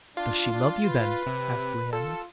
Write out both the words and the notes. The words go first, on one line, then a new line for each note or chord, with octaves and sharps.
"Does she love you then?" asked Leander.
D4 F4
D4
B4
C3
F4 A4